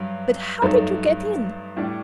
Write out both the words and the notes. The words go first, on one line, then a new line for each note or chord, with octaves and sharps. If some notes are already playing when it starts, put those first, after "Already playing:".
"But how did you get in?"
Already playing: G2 F#3
G2 F#3 A3 D#4
A2 G3 D4